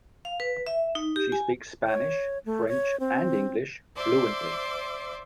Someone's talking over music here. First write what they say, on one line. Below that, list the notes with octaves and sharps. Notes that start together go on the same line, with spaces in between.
She speaks Spanish, French and English fluently.
F5
B4
E5
D#4
G4
G#5
C#5
A3
C#5
C4
C5 D5 E5 C6 D6